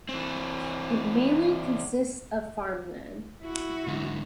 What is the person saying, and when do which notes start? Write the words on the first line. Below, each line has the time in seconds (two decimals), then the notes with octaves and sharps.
It mainly consists of farmland.
0.09 E3 C4
3.42 E4 F#4
3.87 G#2 D3